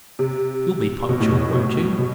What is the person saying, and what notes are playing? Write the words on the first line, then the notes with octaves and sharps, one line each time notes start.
"You'll be punctual, won't you?"
C3
B2
A2
B2
B2
B2